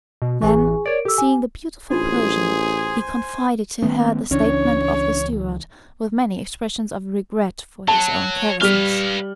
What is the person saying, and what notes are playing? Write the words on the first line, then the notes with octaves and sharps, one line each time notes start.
Then, seeing the beautiful Persian, he confided to her the statement of the steward, with many expressions of regret for his own carelessness.
B2
A1 E3 G#4 G#5 C#6
A#4 C#5 D5 D7
G4 A4 E6
G#5
A1 D4 D#4 F4 G#4 C5 G#5
D#3 A3 B3 C#4
C#2 E3 C#4 D4 C#5
F#3 A5
G3 B4 F5 F6 G7